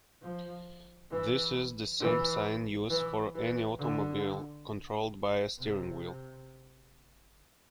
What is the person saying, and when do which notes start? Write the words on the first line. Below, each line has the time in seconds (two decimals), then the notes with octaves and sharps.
This is the same sign used for any automobile controlled by a steering wheel.
0.21 F3
1.11 E3
2.00 E3
2.90 E3
3.34 E3
3.79 D3
5.58 C3